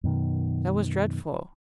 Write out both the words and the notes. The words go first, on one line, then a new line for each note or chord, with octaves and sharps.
That was dreadful.
F#2 B2 D#3